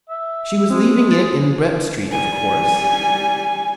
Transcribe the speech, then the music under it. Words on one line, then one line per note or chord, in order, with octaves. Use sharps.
She was leaving it in Brett Street, of course.
E5
G#3 C4
A6
G3 G#5